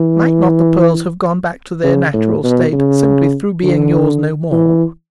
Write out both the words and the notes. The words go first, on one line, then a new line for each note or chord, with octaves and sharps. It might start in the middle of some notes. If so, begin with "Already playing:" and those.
Might not the pearls have gone back to their natural state simply through being yours no more?
Already playing: E3
C#3
A2
B2
C#3
D3
E3